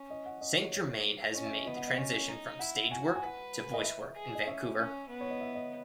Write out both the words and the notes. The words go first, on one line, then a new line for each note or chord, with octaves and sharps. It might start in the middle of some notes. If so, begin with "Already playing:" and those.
Saint Germain has made the transition from stage work to voice work in Vancouver.
Already playing: C#4
D#5
F#5
D#5
C#5
C#5
C#4 D#5
E5
D#5
B3 D#5
F#5
D#5
C#4
D#4
E4 F#5
F#5
F#4 G#5
F#5
G#5
B4 F#5
D#5
E5
G#4
D#5
C#4 E5
C#4
B3
C#5
D#5
E5
D#5